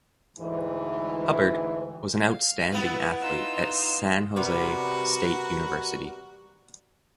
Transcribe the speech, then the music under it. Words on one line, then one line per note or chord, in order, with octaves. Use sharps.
Hubbard was an outstanding athlete at San Jose State University.
D2 G#2 E3
F5
B3 E4 B4
D#4 F4 E6
C3 G3 B3 F#4 A#4 B4